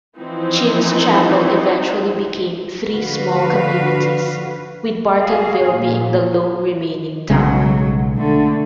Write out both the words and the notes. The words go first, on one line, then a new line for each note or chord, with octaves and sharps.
Chinn's Chapel eventually became three small communities, with Bartonville being the lone remaining town.
E3 F3 C4 D#4 E4
D3 F3 F#4 B4 F5
F#4 G#4 F5
A#2
B1 C#3 F#3 G#3
D3 A3